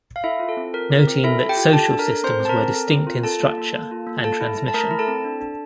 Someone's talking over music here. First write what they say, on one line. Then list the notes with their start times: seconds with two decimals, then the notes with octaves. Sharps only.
Noting that social systems were distinct in structure and transmission.
0.16 F5
0.23 E4 A4 E5
0.40 F4
0.49 A4
0.57 C4
0.74 F4 A#4
0.90 C4
0.99 A#4
1.07 C4
1.24 E4 A4 E5
1.40 A4
1.49 G4 G5
1.56 F4
1.73 A4 A5
1.91 D4
1.99 A#4 A#5
2.08 A4
2.23 C4 C5 C6
2.40 C4
2.45 A5
2.49 A#4 A#5
2.57 C4
2.74 A4
2.91 C4
3.07 F4
3.23 F4 A4 A5
3.40 A#3
3.58 A#3
3.74 A#3
3.91 F4
4.07 A#3
4.24 A4 A5
4.41 E4
4.58 E4
4.68 A5
4.74 A3 A#4 A#5
4.91 E4
4.99 A4 A5
5.08 C4
5.24 D4
5.41 D4